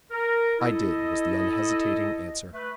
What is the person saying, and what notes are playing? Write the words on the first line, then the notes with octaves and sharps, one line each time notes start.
"I did," was the unhesitating answer.
A#4
E4 A4 D#5
A3 B4